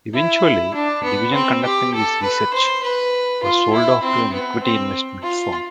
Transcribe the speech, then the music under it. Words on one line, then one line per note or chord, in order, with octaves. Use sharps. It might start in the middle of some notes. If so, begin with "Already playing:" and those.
Eventually, the division conducting this research was sold off to an equity investment firm.
E4
D4
B3
C4
G4
A4
B4
C5
B4
F4
E4
C4
B3
C4
F4